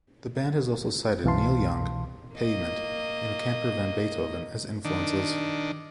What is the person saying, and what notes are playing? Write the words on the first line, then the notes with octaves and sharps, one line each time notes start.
The band has also cited Neil Young, Pavement, and Camper Van Beethoven as influences.
C2 B2 E3 F5 A5 C6
A#3 D#5
D#3 D4